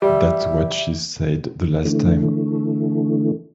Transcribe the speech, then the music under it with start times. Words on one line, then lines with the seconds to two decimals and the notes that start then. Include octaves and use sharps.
That's what she said the last time.
0.02 G3 E5
1.85 D3 E3 A3